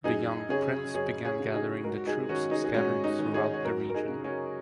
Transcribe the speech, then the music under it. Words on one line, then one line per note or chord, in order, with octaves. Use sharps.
The young prince began gathering the troops scattered throughout the region.
F#2 D#4 G#4
C#3 G#4 C#5
F#2 G#4 C#5
G#4 C#5
C#3 F#4
D#4 G#4
G#2 F#4 A#4
F#4
D#4 G#4
D#3 C#4 F#4
D#4 G#4
G#4
G#2 C#4 F#4
D#4
D#3
G#4 C#5
C#5
F#2 F#4 A#4
A#4
D#4 G#4
C#3
C#4 F#4